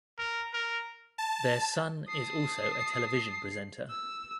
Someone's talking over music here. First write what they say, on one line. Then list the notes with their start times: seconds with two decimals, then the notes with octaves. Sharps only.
Their son is also a television presenter.
0.19 A#4
0.54 A#4
1.18 A5
2.08 A5 D#6 C7
3.90 E6